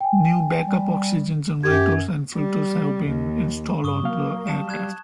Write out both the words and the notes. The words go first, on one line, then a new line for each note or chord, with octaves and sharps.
New backup oxygen generators and filters have been installed on the aircraft.
G5 G#5
G3
F#2 G4 G#6
G3
D#2
G2 C#6 D#6 G7
F#3 A#3 F5
G3 A5 E7
F#6 G#6 E7